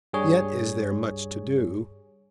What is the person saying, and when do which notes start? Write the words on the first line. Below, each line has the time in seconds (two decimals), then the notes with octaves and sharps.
Yet is there much to do.
0.13 G2 G3 G#4 C#5